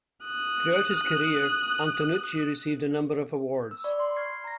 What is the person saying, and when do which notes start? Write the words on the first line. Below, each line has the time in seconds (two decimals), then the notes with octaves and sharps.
Throughout his career, Antonucci received a number of awards.
0.25 D#6 F#6
3.71 E6
3.84 D5 B5 C#6
4.00 C6
4.16 C#6 F6 G#6 C7
4.44 A#5 A#6